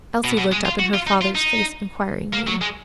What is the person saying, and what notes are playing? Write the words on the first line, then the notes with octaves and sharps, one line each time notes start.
Elsie looked up in her father's face inquiringly.
B2
B2
G#3
F4
F#4
F4
D#4
F4
D#4
A#3
F#3
G#3